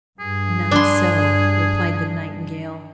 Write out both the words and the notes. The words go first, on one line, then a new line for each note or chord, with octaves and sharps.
"Not so," replied the Nightingale.
G2 G#4
D4 C6